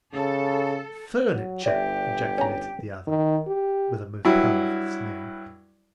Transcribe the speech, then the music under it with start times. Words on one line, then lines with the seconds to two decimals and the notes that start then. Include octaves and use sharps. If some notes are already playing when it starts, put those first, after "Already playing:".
"Furniture!" ejaculated the other, with a most powerful sneer.
0.13 C#3 A4
1.32 F#3
1.66 G1 G4 D5 E5
2.38 C#4 A#5
3.07 D#3
3.47 G4
4.25 G2 F#3 E4